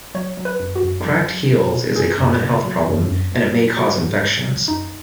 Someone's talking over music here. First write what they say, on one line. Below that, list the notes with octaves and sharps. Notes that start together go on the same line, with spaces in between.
Cracked heels is a common health problem and it may cause infections.
F#3 C#5
F#3
B4
F#2
F#4
F#2
F#3
F#3
B2
B2
F#2 G#4
F#2
C#3
F#3
F#2
F#2
F#2
F#3
F#3 F#4
G#2
G#2
F#3
F#2 D#4